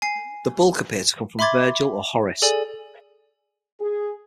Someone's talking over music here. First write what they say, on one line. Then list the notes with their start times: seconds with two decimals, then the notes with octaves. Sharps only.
The bulk appear to come from Vergil or Horace.
0.02 G#5 C7
1.39 E5 B5 C6 D6 G#6 A6
2.42 G#4 A4 D5 G#5
3.81 G#4